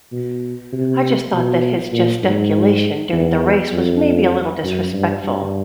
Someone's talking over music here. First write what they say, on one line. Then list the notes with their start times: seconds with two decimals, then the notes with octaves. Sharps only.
I just thought that his gesticulation during the race was maybe a little disrespectful.
0.12 B2
0.73 C3
1.33 B2
1.92 A#2
2.23 G#2
3.13 E2
3.73 F2
4.63 F#2
4.93 G2
5.22 G2